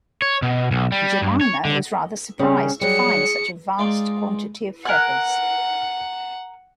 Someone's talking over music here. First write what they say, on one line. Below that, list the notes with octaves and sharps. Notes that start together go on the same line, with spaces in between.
Jemima was rather surprised to find such a vast quantity of feathers.
C#5
B2
B1
G3
G2
C#5
D3
C#3 G3 C#4
F#3 G3 G#4 C#7
G#3 D#4 F4 D5 G5
A#4 F#5 G#5 F#6